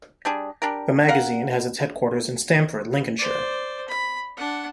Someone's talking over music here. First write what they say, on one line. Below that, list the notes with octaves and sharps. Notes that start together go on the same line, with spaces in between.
The magazine has its headquarters in Stamford, Lincolnshire.
G3 D4 G#4
D4 G4 A#4
A#4 F5 F#5
C5 D5
B5
D4 F#5